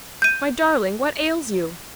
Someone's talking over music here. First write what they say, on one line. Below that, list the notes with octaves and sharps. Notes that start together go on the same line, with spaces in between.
"My darling, what ails you?"
G6 D#7